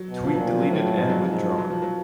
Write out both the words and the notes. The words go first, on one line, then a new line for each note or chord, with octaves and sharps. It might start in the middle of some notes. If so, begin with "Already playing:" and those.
Tweet deleted and withdrawn.
Already playing: F#3
B2
F3
A#2 F#3
F3
F#3
A2 F3
F#3
G#2 F3
F#3
G#2 F3
F#3
F3
F#3
F3
F#3